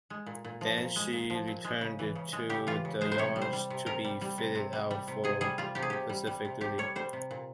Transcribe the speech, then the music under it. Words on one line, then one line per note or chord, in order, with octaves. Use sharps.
Then, she returned to the yards to be fitted out for Pacific duty.
G#3
A#2
A#2
F3
A#2
G#3
A#2
F3
A#2
G#3
C#3
E3
C#3
G#3
C#3 G4
E3 F4
C#3
G#3 C5
C5
C3 C#5
G3
C5
G3
C3
C3 A#4
G3
G3
C3
C3
G3
G3
C3
C3 G#4
G3 G#4
G3 F4
C3 G4
G#4
C3 G4
G3
G3
C3
C3 G4
G3 C#5
G3 C5
C3
A#2